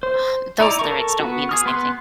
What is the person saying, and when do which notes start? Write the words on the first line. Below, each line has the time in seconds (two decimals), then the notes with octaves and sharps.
Um, those lyrics don't mean the same thing.
0.03 C5
0.60 D#4 E4 D5 A#5
0.79 A4 A#4 C#6
1.20 B3 F#4
1.49 G#4 D#6 F6
1.66 B3 C6 F#6